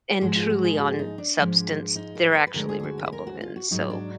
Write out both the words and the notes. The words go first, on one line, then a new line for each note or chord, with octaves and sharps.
And truly on substance, they're actually Republicans. So
G#2 F3 G#3 F#4
F4
G#4
F#4
G#4
F#4
D#4
D4
G#2 F3 G#3
D#4
A#4
B4
B4
D2 D3 G#3 A#4
G#4
G#4
F#4
A#4
B4
A#4
F#4
F4
F#4
G#2 F#3 D#4
D4